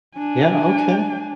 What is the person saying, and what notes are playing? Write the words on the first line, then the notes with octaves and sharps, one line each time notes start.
Yeah, okay,
D4 G#5